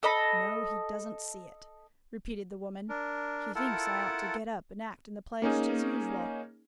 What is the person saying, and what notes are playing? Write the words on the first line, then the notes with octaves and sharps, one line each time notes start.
'No; he doesn't see it,' repeated the woman; 'he thinks I ought to get up and act in the play, just as usual.
A4 D#5 B5
D4 A#4
E4 F4 A4 A#4 F#5 A5
A#3 C#4 D#4 G#4